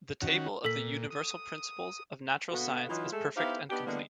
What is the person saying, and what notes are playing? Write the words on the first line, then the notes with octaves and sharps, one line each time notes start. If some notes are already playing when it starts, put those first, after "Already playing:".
The table of the Universal Principles of Natural Science is perfect and complete.
D#3 C#4 F#4
A#2 A4 B6
D#6
B2 D3 A#3 B3 F#4
E3 F#3 D#4 F4
G#3 A3 A4
B3 D#4 E4 G4 C5 F5
B3 D4 D#4 G4
D3 E3 G3 G#3 A#3 B3